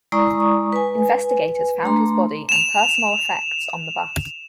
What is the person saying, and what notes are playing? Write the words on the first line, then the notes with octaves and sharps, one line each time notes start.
Investigators found his body and personal effects on the bus.
G#3 E4 D5 A#5 C#6 D#6
B4 G#5
A3 D4 A#5 C6
E7 F7